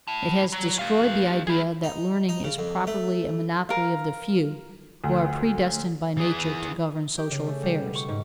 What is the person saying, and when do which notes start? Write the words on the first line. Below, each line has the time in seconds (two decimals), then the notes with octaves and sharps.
It has destroyed the idea that learning is properly a monopoly of the few who are predestined by nature to govern social affairs.
0.08 E4 A5
0.52 F#3
0.79 G4 F5
1.47 E4 G#4
1.84 D#4
2.29 D#4
2.44 C#3
2.58 F2
2.87 A3
3.69 A#4 F5
5.04 D2
6.18 E3 G#4
7.18 G4
7.31 C#3
7.47 A3
7.63 G3
7.81 B2
7.95 C#6
8.08 G#2